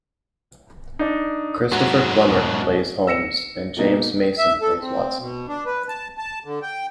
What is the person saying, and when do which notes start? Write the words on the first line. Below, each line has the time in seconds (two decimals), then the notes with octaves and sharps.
Christopher Plummer plays Holmes and James Mason plays Watson.
0.99 D4 D#4
1.72 G#2 F#3 F#4
2.28 E2 B2
3.07 E6 A#6 C#7 E7
3.77 B2 A#3 D#4
4.38 E5
4.61 A4
4.80 C4
5.19 B2
5.48 D4
5.66 B4
5.88 A5
6.18 A5
6.45 D3
6.62 G5